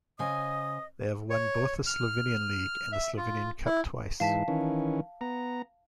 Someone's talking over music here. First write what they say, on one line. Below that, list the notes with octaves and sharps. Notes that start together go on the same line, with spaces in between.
They have won both the Slovenian League and the Slovenian Cup twice.
C#3 C5 D#5 G#5 D#6
C#5
F6
E5
F4
E4
G#2 E3 F5 A5 B6
D#3 E3 C#4
B3 A#5